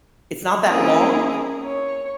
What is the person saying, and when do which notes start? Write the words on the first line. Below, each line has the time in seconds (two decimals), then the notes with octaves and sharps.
it's not that long,
0.64 A#3 C4 C#4 E4 G#4 A#4
1.63 C#5